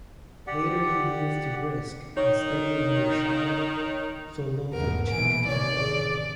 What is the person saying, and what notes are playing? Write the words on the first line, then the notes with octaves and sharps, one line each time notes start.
Later he moved to Brisk and studied under Chaim Soloveitchik.
G4 D5 F#5
D#3 D#4 C#5
E2 G#2 A3 A#4 F#5
B1 A#2 E3 G#5 D7
A1 C3 D#3 C#5 D5
G#4